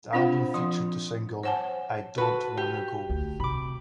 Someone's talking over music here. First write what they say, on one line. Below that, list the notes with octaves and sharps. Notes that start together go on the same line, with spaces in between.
The album featured the single "I Don't Wanna Go".
C4 D4 F4 C5 F5 F#5
F3 C6
C5 C#5 F#5 G#5 A5
F#4 B4 A5
G4
D2
C3 B5 D6